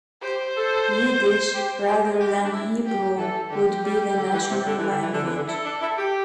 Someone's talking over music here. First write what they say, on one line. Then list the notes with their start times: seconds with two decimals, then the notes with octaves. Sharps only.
Yiddish, rather than Hebrew, would be the national language.
0.22 G4 C5
0.55 A4
1.54 G4
1.86 G4
2.19 G4
2.43 D4
2.52 E4
2.85 G4
3.18 E3 A4
3.51 D3 G4
3.84 G3
4.16 D3
4.33 E3
4.49 C3
4.66 D3
4.77 E3
4.89 D3
5.00 E3
5.12 D3
5.23 E3
5.35 D3
5.47 E4 A4
5.64 D4
5.80 E4
5.97 G4